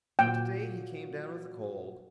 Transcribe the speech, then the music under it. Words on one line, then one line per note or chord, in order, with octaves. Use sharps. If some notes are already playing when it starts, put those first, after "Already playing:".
But today he came down with a cold.
A#2 F#3 G5